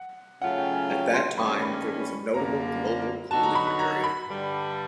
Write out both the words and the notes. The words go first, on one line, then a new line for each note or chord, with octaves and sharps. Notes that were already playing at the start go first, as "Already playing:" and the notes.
At that time, there was a notable global cooling period.
Already playing: F#5
C#3 F#3 A3 C#4 F4 F#5
G5
G#5
G5
C6
G2 D#3 G3 A#3 C#4 B5
B5
F#2 D3 G3 A#3 A#5
D3 F#3 B3 D#4 F#4 A5
A#5
B5
B5
A#5
B5
G2 D3 G3